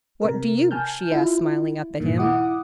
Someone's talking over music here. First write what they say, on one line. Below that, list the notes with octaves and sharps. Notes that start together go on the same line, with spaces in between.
"What do you?" she asked, smiling up at him.
C3 A#4
G#5 A5 F6 G6
E4 F4
G2 A#2 D#3
E4 F#5 D6 D#6